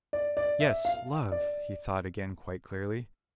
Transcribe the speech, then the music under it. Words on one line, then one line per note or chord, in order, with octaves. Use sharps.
"Yes--love," he thought again quite clearly.
D5
D5
E5
F5
D5